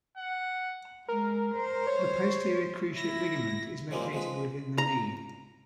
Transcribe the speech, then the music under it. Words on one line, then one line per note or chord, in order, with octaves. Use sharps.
The posterior cruciate ligament is located within the knee.
F#5
G#3 A#4
C5
C#5
E4 A#6
C#3 F3 G3 G#3 A#3 C4
F3 G#3 B4
A#5